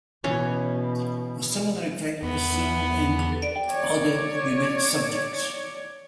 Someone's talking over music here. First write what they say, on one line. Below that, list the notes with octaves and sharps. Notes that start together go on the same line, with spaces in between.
A similar effect was seen in adult human subjects.
B2 E3 C#4 C#5
E2 B3
C#5 D5